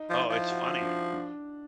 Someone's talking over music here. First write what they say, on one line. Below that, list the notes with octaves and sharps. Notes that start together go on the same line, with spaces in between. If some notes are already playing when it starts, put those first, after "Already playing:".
Oh, it's funnier.
Already playing: D#4
F3
E4
F3
F#4
D4
D4